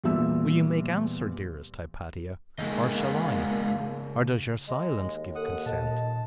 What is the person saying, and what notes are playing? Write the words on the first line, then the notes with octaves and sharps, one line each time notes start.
Will you make answer, dearest Hypatia, or shall I?....or does your silence give consent?
E2 A#2 G3 F4 E5 E6
E2 C#3 G#3 A#3 D#4 D#5
G#3
D#2
A4 F#5 D#6
A#2 D#5 A5